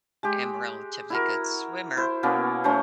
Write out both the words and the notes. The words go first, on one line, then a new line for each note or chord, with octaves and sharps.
am relatively good swimmer,
G#3 G4
E4 F#4 A#4
E4 C5
B2 A#3 B3 C#4
F#3 A3 C#4 C5